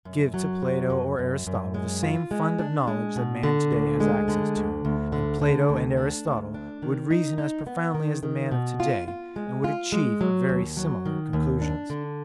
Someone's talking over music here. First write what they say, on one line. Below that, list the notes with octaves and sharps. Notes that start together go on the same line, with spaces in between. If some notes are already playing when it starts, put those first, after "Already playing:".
Give to Plato or Aristotle the same fund of knowledge that man to-day has access to, and Plato and Aristotle would reason as profoundly as the man of to-day and would achieve very similar conclusions.
F#2
F#3
F#2
F#2
F#2
F#2
G#3
F4
G#3
D4
G#3
B2
D3
D2
G#3
D3
D2
D2
D3
D3
D2
D4
D2
D4
D#3
D#4
D#4
B3
D#3
D#3
B2
F4
F4
G#3
F4
G#3
F#3
D#2
F#3
D#3
D#2
D4
D3